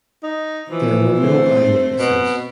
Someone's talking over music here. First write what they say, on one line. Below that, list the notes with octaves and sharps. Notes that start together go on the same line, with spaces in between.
There were no eyewitnesses.
D#4
E3 F3
A3 C4 C5
B2